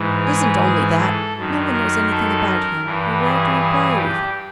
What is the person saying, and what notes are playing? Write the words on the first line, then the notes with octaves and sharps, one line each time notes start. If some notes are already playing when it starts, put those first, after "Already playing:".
"It isn't only that; no one knows anything about him, or where to inquire even."
Already playing: G#2 E3
G#4
G#4
A4
F#2 D#3
A#4
A4
A#4
G2 E3
G#4
G#4
G4